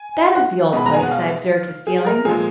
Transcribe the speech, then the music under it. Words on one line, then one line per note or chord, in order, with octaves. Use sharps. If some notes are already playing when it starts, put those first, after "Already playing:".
'That is the old place,' I observed with feeling.
Already playing: G#5
F#5
B2 G#3 B5
A#5
G#5
F#5
F5
G#4
A#4
A#2 F3 G#3 G#4